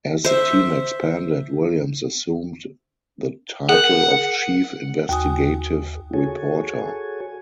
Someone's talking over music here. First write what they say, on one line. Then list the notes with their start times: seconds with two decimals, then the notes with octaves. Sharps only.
As the team expanded, Williams assumed the title of chief investigative reporter.
0.24 C5 E5
3.69 G#4 A#4 F#5
5.09 D#2 F#4 G#5 D#6
6.13 F#4 G#4 A4 C#5 G#5